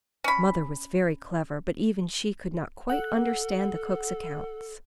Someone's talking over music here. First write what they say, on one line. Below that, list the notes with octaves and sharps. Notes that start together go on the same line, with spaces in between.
Mother was very clever, but even she could not quite understand the cook's accounts.
C#4 B5
A4 F#5